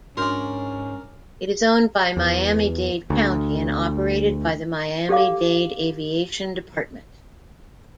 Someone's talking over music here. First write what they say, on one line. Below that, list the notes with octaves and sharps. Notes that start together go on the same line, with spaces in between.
It is owned by Miami-Dade County and operated by the Miami-Dade Aviation Department.
G#2 C#4 D4 F#4 A#4 D5
E2
D2
G4 A4 D5 F5 D6